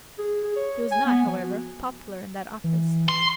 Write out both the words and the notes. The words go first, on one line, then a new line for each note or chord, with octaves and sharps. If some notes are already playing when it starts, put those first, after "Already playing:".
He was not, however, popular in that office.
G#4
G#4
C#5
G#5
B3
F3
F#4
E3
C6